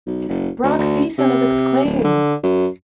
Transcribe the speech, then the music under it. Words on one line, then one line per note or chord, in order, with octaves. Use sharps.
Brock Thiessen of Exclaim!
B1
F#1
D2
D2
C3
D1
D3
F#2